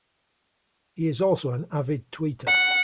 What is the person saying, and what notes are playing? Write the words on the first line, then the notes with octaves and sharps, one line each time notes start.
He is also an avid tweeter.
F#5